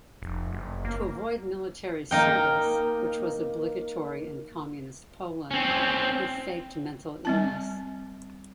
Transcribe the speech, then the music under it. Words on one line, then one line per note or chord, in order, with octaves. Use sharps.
To avoid military service, which was obligatory in Communist Poland, he faked mental illness.
F1
F#1
A#3
A#3 D#4 G5
C4 C#4
G3 C4 A5